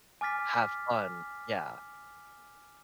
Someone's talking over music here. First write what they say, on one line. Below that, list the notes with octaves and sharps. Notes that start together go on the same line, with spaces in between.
have fun yeah.
G#5 D6 F6 A6 B6